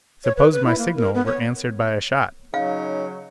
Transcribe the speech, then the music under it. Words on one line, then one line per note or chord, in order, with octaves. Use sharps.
Suppose my signal were answered by a shot?
C#5
B4
B4
E4
A#3
A#4
B3
C#5
C#3 F#3 D#4 F5